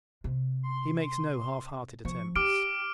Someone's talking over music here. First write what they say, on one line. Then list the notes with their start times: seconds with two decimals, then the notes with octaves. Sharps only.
He makes no half-hearted attempts.
0.24 C3
0.63 C6
2.05 F3 C#6
2.36 D#4 G4 D6 F6 D7